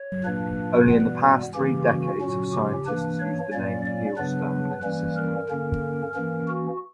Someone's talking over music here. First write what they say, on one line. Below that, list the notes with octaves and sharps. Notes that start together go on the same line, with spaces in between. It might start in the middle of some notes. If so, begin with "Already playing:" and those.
Only in the past three decades have scientists used the name "Heel Stone" consistently.
Already playing: C#5
A#2 A#3 D4 B4
B2 G3 B3
C#3 E3 A#3 C#4 G4
F#4
A#2 F#3 C#4
G4
E3 A#3 D4 B4
C#5
A#2 F#3 A#3 C#4 D5
D5
C#3 F#3 B3 D4 B4
E3 G3 A#3 C#4 B4
A#4
D3 A#3 C#4
E3 A#3 C#4 A#4
F#4